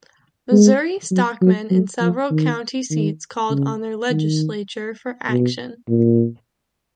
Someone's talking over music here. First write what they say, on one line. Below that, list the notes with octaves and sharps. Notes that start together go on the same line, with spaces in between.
Missouri stockmen in several county seats called on their legislature for action.
G#3
F#3
F#3
F#3
F3
D#3
D#3
C#3
D#3
B2
A#2